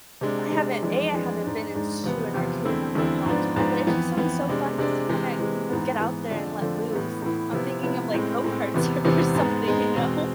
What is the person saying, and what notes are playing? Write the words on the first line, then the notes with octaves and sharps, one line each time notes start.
I haven't a. I haven't been in to an arcade in a really long time, but it just sounds so fun just to kinda g get out there and let loose. I'm thinking of, like, go-karts or something, you know?
C3 G#3 D4
C3 G#3 D4
F2 E3 G#3 D4
F2 E3 G#3 D4
G#2 G#3 D4
G#2 G#3 D4
E2 C3 F3 B3
E2 C3 F3 B3
E2 D3 A3 C4 E4
E2 D3 A3 C4 E4
G#2 F3 B3 D4
G#2 F3 B3 D4
F2 E3 B3
F2 E3 B3
C3 G#3 D4
C3 G#3 D4
C3 E3 G#3
C3 E3 G#3
G#2 E3 B3
G#2 E3 B3
F2 D3 F3 A3 D4
F2 D3 F3 A3 D4
A2 E3 B3 E4
A2 E3 B3 E4
C3 F3 B3 E4
C3 F3 B3 E4
A2 G#3 C4
A2 G#3 C4
E2 C3 E3 B3
E2 C3 E3 B3
G#2 G#3 B3
G#2 G#3 B3
E2 B2 G#3 C4